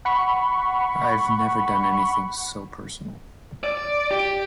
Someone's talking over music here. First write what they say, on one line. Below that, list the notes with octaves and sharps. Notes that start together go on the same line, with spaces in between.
I've never done anything so personal.
F#5 B5 C#6
D5
G4